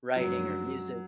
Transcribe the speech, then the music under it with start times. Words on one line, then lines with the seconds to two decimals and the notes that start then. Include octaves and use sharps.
writing, or music?
0.16 F#2 C#3 F3 F#3 G#3 D4